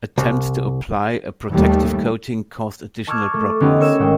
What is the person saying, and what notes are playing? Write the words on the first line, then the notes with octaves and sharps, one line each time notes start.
Attempts to apply a protective coating caused additional problems.
C2
D#2 G3 A3
A5 C#6 D6 E6 F6 G#6
A3 A4
D3 B3 C#4 D#4 G4
A#4 C#5 E6 E7
G#1 G#3 G5